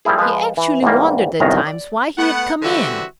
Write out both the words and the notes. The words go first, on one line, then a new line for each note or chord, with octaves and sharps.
He actually wondered at times why he had come in.
F3 G3 A#3 E4 G#4
F3 G#3 B4
E3
E2 G#2 G3 A#3
G1 C2 F#2 D#3 A#5
D5
A3 B3 B4 F#5
D3 E3 G3 C4 F#4 E5